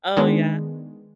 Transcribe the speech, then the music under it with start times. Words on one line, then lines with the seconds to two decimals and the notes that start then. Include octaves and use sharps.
Oh, yeah.
0.17 D#3 G#3 B3 D4